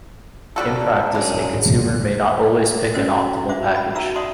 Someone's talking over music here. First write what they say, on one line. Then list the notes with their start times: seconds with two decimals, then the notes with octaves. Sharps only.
In practice, a consumer may not always pick an optimal package.
0.56 G#2 G3 E4 F#4 A4 D5 A5
1.15 F#2 E3 G3 G#3 D4
2.94 C#4 F#4 A4 C5 D5 E6
3.49 D4 F#4 C5 E5 D6
3.76 F#4 B5
3.95 D#4 F#4 E5 F5 A#5 E6
4.16 D5 E5 F#5 A5 C6 D#6